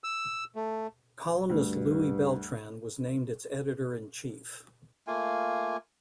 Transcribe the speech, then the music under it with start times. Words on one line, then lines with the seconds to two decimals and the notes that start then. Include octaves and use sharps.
Columnist Louie Beltran was named its editor-in-chief.
0.04 E6
0.56 A3
1.50 D2 G2
5.07 A3 A#3 F4 G#5